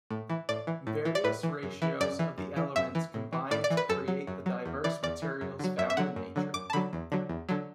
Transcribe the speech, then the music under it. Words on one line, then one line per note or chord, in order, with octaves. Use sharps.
Various ratios of the elements combine to create the diverse materials found in nature.
A2
E3
A2 D5
E3
A2
E3
D5
A2 B4
E3
F#2
E3
F#2 D5
E3
F#2
E3
F#2 E5
E3
A2
E3
A2 D5
D5
E3
B4
F#2 A4
F#3
F#2
F#3
E2
E3 D5
E2 D5
E3
F#2
D3 F#3
F#2 E5
E5
D3 F#3 F#5
F#2
D3 F#3
F#2 D6
A5
D3 F#3 B5
E2
D3 F#3
E2
D3 F#3